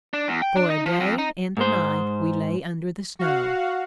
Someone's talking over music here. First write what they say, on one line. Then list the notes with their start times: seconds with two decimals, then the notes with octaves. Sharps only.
For a day and a night we lay under the snow.
0.14 D4
0.28 E2
0.42 G5
0.56 D4
0.70 D#4
0.86 F3
1.00 F2
1.18 D#4
1.57 G#2 C5
3.19 F#4 F5 F#5